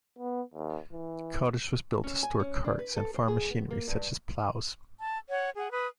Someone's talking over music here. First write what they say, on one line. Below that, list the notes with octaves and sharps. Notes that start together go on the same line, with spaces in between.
The cottage was built to store carts and farm machinery such as ploughs.
B3
D#2
E3
C#4
G#5
C#4
D4
B4
A4
C5
G#4
B3
A#3
G2
A5
C#5 F#5
G#4 F#5
B4 D#6